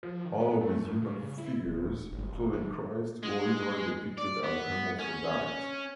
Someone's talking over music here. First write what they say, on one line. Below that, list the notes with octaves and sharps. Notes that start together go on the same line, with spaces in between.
All of his human figures, including Christ, were usually depicted as hermaphrodites.
F3
D#3
B3
A3
G#2
C#3
C#3
E4
D#1
G1
F1
E3
G#3
D5
B3
C#4